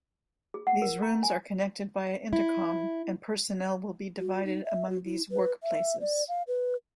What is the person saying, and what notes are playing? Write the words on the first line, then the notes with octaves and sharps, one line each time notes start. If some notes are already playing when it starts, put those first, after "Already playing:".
These rooms are connected via intercom, and personnel will be divided among these workplaces.
G#4
F#5
A#4
A#5
G#5
E4
F#4
D#4
E5
F#4
E4
B4
E5
D5
F5
B4